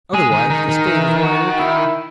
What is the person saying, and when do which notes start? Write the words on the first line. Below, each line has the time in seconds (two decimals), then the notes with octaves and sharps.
Otherwise, the state is wide open!
0.13 G#3 G#4
0.32 D#3
0.50 D#3 D#4
0.69 D#3
0.87 E3
1.23 F#4
1.60 E4